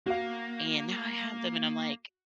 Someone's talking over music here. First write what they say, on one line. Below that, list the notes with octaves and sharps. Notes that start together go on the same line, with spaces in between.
and now I have them, and I'm like,
A#3 F#4 F5